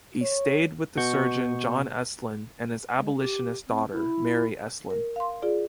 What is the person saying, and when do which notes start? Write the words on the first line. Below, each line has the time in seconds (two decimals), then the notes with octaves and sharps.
He stayed with the surgeon John Estlin and his abolitionist daughter Mary Estlin.
0.21 C#5
0.97 B2 F#4 C#6 G6
2.98 G#3
3.15 G4
3.68 C4
3.92 E4
4.90 A#4
5.16 F5 C6
5.42 F4 G#4 D5